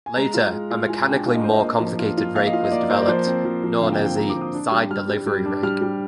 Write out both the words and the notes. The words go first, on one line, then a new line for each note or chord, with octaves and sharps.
Later, a mechanically more complicated rake was developed, known as the "side delivery rake".
G#5
G#3 A#5
F4
G#3
F4
F4 G#5
G#5
D4 G5
F4 F5
D#5
D4 C5
D#5
A#3
F3
F4
F4
A#3 F5
D#5
F4 F5
D#5
A#3 D5
A#3 C5
D5
F3 C5
C4
F3
F3
D3 F5
G5
C4
G5
C4 A#5
D6
C4 D#6
D4
G3
G3 F6
G3
G3
D4
G3 F6
G3